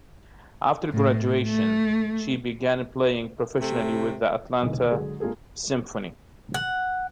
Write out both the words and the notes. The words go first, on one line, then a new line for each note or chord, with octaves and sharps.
After graduation, she began playing professionally with the Atlanta Symphony.
A2
A3
C3 A3
F1 B1 A2 D3 D#3
D3 F#3 G#3 G#4
G#3 A#3 F4 G#4 A4
F#5